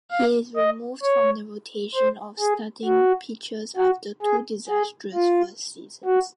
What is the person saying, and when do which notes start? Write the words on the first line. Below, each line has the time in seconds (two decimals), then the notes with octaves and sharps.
He is removed from the rotation of starting pitchers after two disastrous first seasons.
0.11 F5
0.56 D#5
1.03 C#5
1.95 C5
2.40 G#4
2.85 F#4
3.77 F#4
4.23 G#4
4.69 G#4
5.14 F4
6.05 F#4